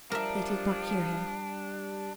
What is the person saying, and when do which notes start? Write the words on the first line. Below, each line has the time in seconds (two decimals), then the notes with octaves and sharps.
They did not hear him.
0.12 F3 G3 D4 A#4 E5